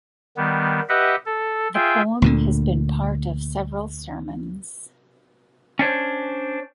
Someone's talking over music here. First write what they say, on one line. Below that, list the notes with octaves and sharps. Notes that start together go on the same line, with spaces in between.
The poem has been part of several sermons.
D#3 G3 B3
G4 B4 D#5 E5 F#5
A4
F4 G#4 E5 G5
D2 A#2 D3
C#4 D4 C5 C#5